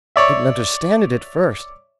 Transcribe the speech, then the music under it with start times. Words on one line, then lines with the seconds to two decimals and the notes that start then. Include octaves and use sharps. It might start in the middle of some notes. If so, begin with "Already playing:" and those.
I didn't understand it at first.
0.16 C#5 D5 E5